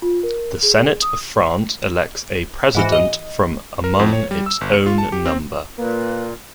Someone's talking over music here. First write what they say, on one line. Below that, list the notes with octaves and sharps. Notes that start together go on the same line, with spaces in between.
The Senate of France elects a president from among its own number.
F4
A#4
G#4
D#6
G#2 E3 F#4
D#5
A#4
F2
C#5
G3
E6
G1
C#7
F4
A5
G4
C4
A#2 A#3 B4